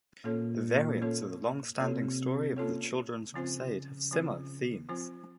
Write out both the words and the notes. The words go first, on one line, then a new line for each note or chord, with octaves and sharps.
The variants of the long-standing story of the Children's Crusade have similar themes.
A#2 A#3 C#4 F4 A4 C#5
A#3 C#4 F4 A4 C#5
C3 A#3 C#4 F4 A4 C#5
A#3 C#4 F4 A4 C#5
C#3 F3 C4 F4 C5
F3 C4 F4 C5
F3 C4 F4 C5